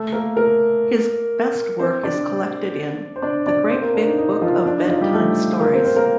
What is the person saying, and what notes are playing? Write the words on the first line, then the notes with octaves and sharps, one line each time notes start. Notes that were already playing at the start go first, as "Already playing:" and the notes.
His best work is collected in "The Great Big Book of Bedtime Stories".
Already playing: A3 A4
A#3 A#4
A#3 A#4
C4 C5
D4 D5
C5
D4 D5
D4 D5
C4 C5
A#3 A#4
D4
D#4
D#4
F3 F4
D4
D#4
F3 F4
G3 G4
A3 A4
A#3 A#4
C4 C5
C4 C5
A#3 A#4